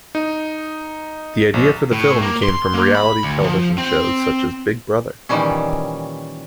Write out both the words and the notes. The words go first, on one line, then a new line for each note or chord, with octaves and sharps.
The idea for the film came from reality television shows such as "Big Brother".
D#4
A#1
A2
A#3
C6
A#3
B5
D2
F3
C4
A#2 D#3 E3 G3 C#4